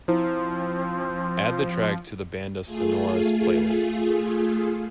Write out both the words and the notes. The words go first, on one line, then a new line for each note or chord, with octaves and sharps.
Add the track to the bandas sonoras playlist.
F3 C4 E4 C5
A3 F4 G#4